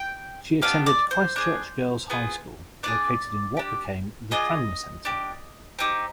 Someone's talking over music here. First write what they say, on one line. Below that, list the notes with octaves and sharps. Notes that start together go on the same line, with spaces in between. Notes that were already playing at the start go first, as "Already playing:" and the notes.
She attended Christchurch Girls' High School, located in what became the Cranmer Centre.
Already playing: G5
B3 D4 G4 F5
D5
C5
D4 G#4
B3 F4 G#4
D4 F4 G#4 D5
D4 G4
D4 F4 G#4 D#5
D4 G4
C4 D#4 G4